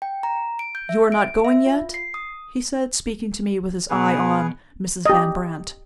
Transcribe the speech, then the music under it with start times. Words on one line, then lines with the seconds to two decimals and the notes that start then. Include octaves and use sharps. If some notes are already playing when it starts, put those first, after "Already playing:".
"You are not going yet?" he said, speaking to me with his eye on Mrs. Van Brandt.
0.02 G5
0.23 A#5
0.59 D7
0.75 G6
0.89 E5
1.12 D7
1.45 E5
1.66 F4
1.94 C7
2.14 D#6
3.89 B2 G#4 B4
5.06 G4 D#5